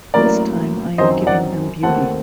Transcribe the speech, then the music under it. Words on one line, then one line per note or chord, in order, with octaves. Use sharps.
This time I am giving them beauty.
A1 A2 F#3 A#3 A#4 D5
F#2 D#3 F#3 C4 D#4 C5 D#5
D5 F#5
D#2 D#3 A3 C4 F#5 A5